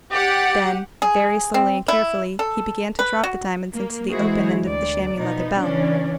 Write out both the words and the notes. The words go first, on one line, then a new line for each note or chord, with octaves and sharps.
Then, very slowly and carefully, he began to drop the diamonds into the open end of the chamois-leather belt.
G4 D5 F#5
G#4
C4
E4
A4
B4
F#4
A#3
E3 G#3 E4 F#4 G#4 C5
D2 D5
B2 F3 B3 D#4
C#3 E3 C#4 D4 D5